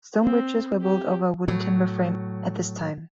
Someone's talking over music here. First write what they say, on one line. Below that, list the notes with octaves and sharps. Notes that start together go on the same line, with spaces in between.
Stone bridges were built over a wooden timber frame at this time.
C4
G4
A2 F#3